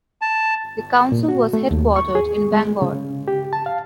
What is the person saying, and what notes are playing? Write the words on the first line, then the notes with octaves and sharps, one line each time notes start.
The Council was headquartered in Bangor.
A5
A#2
F#4
A3
D#2
C#6
G#4
G#3
C#3
G4
A5
F5